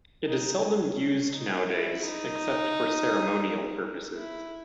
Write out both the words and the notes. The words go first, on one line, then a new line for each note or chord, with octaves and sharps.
It is seldom used nowadays except for ceremonial purposes.
D#4
C#4
D#4
E4
D#4
E4